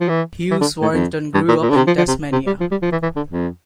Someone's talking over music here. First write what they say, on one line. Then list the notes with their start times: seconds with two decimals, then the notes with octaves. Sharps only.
Hughes-Warrington grew up in Tasmania.
0.01 F3
0.09 E3
0.51 E3
0.61 D3
0.82 A2
0.93 F2
1.34 G2
1.49 A#2
1.62 A#2
1.70 D3
1.77 C3
1.87 F3
1.98 F3
2.08 C3
2.32 C3
2.47 G3
2.60 F3
2.71 G3
2.82 F3
2.92 E3
3.03 E3
3.16 D3
3.30 F2